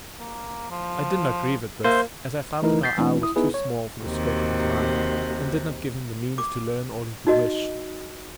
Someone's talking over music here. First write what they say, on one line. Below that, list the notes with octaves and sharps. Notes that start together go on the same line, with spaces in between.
I did not grieve at this, as I felt that our isle was too small for the scope of his mind, and did not give him the means to learn all he could wish.
A#3
F3
A#3 C5 E5
E3 A3 D#4 E4 A#4
G6 A6 B6 C7
E3 A3 C4 D4 E4
E4 D#6
B3 D#4 E4 G#4 B4
C#5
D#2 C3 F#4
D6
D#4 F#4 D#5